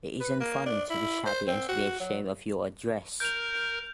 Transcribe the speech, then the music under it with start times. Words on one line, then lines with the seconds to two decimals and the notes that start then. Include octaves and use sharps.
It isn't funny to be shabby and to be ashamed of your address.
0.20 B4
0.40 A#3
0.66 D4
0.90 E4
1.26 C5
1.47 C4
1.68 F#4
2.00 F#3
3.20 A#4 G6 F7